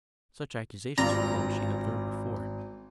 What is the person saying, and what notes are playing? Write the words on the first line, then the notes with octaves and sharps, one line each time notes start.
Such accusations from him she had heard before.
G#1 G2 F4 D5 A#5